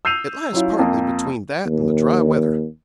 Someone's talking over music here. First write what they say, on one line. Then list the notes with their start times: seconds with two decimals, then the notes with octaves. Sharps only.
It lies partly between that and the dry weather.
0.05 E6 G6 C7 D#7 F7
0.53 F#3 C#4 E4 F4
0.79 F2 A#3
1.66 D#2